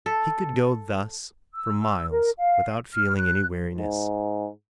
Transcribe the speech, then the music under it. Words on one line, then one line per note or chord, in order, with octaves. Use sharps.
He could go thus for miles without feeling any weariness.
A4
E6
A#4
F5
F6
F#6
G#2